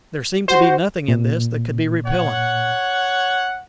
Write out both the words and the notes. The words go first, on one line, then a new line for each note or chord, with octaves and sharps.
There seemed to be nothing in this that could be repellent.
F#4 C5
A#2
C#5 F#5